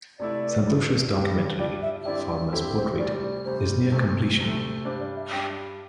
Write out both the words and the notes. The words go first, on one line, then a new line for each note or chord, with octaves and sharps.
Santosh's documentary "Farmers Portrait" is near completion.
C3 A3 E4 D5
C3 A3 E4
G2 G3 D4 G4
G2 G3 D4 G4 D5
E5
G2 D3 C4 E4 G4 D5
G2 D3 C4 E4 G4 A4
C5
D2 C3 G3 D5
D2 C3 G3 C5
D2 C3 A3
D2 C3 A3
G2 G3 D4 C5
D5
E5
G2 G3 D4 G5